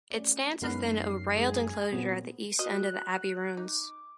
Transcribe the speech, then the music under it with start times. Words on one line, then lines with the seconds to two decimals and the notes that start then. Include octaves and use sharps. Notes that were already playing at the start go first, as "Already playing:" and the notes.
It stands within a railed enclosure at the east end of the abbey ruins.
0.10 A3 C#4 D5
0.62 F#2 G#3 B3 D#4 E4 B4 F6 C7
1.36 G#3 G#4
1.92 A#2 B3 C4
2.59 F#4 D#5 F#6
3.57 D#4 D6